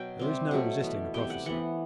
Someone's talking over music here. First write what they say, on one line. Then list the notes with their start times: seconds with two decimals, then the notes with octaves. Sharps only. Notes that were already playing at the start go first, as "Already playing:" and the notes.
There is no resisting a prophecy.
Already playing: B2 F#3 G5
0.19 C3 G3 C4
0.51 B2 F#3 A3 F#5
0.83 E3 B3
1.14 C3 G3 B3 G5
1.30 F#5
1.46 E3 B3 F#5